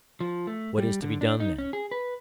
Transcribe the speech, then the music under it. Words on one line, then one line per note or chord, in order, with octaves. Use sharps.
What is to be done then?
F3
A3
G3
D3
D4
D#4
C#4
G#4
B4